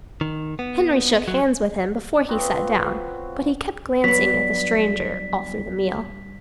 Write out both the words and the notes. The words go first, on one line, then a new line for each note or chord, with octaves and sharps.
Henry shook hands with him before he sat down, but he kept glancing at the stranger all through the meal.
D#3
B3
F#3
F#3 B3 C4 F4
G2 F#3 B3 B6